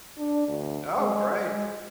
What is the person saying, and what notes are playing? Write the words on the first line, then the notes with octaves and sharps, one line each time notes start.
Oh, great.
D4
D2
G#3
G#3